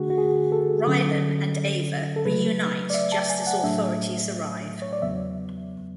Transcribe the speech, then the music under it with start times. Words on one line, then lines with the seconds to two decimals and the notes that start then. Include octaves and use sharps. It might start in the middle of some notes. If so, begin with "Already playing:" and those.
Raylan and Ava reunite just as authorities arrive.
Already playing: D3 A3 D4 F#4 G#4
0.10 F#4
0.18 G#4
0.52 A4
0.87 D3 F#3 C#4
2.16 A4
2.25 C#3 F#3 A3 B4
2.90 D5
2.94 E5
3.12 A5
3.30 G#5
3.47 F#5
3.63 A2 F#3 A3 D4 E5
4.82 C#5
4.93 D5
5.02 E2 C#3 F#3 B3 E5